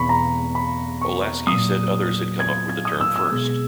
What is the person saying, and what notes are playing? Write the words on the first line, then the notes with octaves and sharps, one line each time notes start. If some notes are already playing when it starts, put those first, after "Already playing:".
Olasky said others had come up with the term first.
Already playing: E2 B2 G#3 B5 C#6
A#5
B5
C#6
A#2 F#3 D#6
G#6
G#6
D#6
E6
E6
B2 G#3